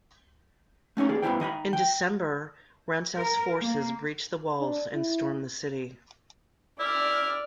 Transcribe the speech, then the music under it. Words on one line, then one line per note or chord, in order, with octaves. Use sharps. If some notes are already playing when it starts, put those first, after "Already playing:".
In December, Rantzau's forces breached the walls and stormed the city.
A3 C#4 D#4 C#5
D#2 G#4 D5
G2 B3 E4 F4 C5 G5
D#3 D#5 G5 B5
G5
A#4
A#3
D4
E4
E4 D5 F6